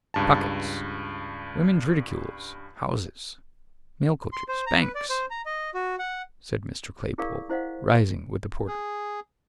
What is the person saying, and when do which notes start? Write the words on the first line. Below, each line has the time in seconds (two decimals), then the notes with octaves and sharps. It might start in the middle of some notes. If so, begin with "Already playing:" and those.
'Pockets, women's ridicules, houses, mail-coaches, banks!' said Mr. Claypole, rising with the porter.
0.14 C#2 G2 A5
4.32 C6
4.48 C5
4.67 A#5
4.81 B4
4.95 D5
5.10 C5
5.31 A#5
5.46 D#5
5.74 F#4
5.99 F#5
7.18 E4 G#4 A#4 D5 F5 C#6
7.49 E4 C5 D#5 F5 F#5
8.68 G#4